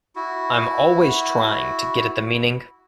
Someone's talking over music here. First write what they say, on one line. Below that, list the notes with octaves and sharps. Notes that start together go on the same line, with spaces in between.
I'm always trying to get at the meaning.
E4 F#4